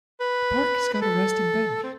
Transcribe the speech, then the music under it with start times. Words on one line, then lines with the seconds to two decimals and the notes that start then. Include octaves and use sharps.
The park has got a resting bench.
0.20 B4
0.94 B4
1.01 A4
1.84 C4